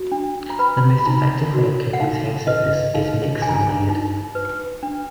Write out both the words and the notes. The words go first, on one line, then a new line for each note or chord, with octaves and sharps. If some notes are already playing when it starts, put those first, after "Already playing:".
The most effective way of coping with homesickness is mixed and layered.
Already playing: F#4
D4
A#5
B4 B5
B5
D#4 A#5
F#4
F#5
D#4 F5
B4 D#5
D#4 F5
G#4 G#5
A#5
G#5
D#4
B4
D4